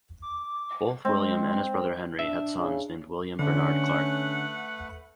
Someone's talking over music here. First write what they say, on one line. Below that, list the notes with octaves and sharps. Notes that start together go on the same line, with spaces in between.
Both William and his brother Henry had sons named William Barnard Clarke.
D6
G#3 C4
D4 E5
C#3
D3 A3 C#4 B4 F#5